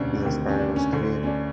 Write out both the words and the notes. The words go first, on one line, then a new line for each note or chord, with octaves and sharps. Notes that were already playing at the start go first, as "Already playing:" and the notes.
The sky was clear.
Already playing: E1 D2 C3 C#4 D4
D2 C3 D#3
C#4
D4
C#4
D2 D3
C#4
D4